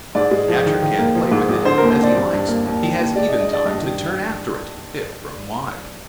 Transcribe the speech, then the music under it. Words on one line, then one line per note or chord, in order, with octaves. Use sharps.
The catcher can play with it as he likes; he has even time to turn after it, if thrown wide.
G#2 D5
G#3
F3
D#3
D#3
A#3
F3
G#2
G#1
D3 C5
D#2 A#4
C5
C4 D5
G2
G2
A#3
D#2
D#3
D#2
G#3 D5
D#5
D4
D#5
D4 D5
G2 D#5
D#3 G4